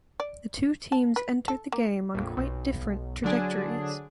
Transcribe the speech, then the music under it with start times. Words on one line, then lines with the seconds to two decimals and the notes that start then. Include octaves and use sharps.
The two teams entered the game on quite different trajectories.
0.20 D5
0.92 A5
1.16 B4
1.48 A4
1.72 A#3
2.14 A#1 F2
2.37 B1
3.24 D3 F#3 D4 G#4